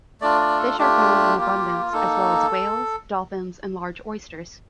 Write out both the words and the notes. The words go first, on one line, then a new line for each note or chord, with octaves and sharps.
Fish are found in abundance, as well as whales, dolphins and large oysters.
A3 D4 F4 D5
D5
A4
A3 D4 F4 G4
A#3 F4
A#3 D#4 A4